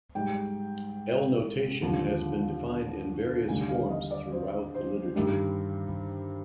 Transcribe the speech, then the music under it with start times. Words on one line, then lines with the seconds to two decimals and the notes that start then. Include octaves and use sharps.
L-notation has been defined in various forms throughout the literature.
0.15 G#2 G3 G5
1.82 D#2 D3 F3
3.48 D#2 D3 G3 G#5
3.69 F5
3.90 D#5
4.11 D5
4.32 C5
4.74 C5
5.16 G2 D#3 G3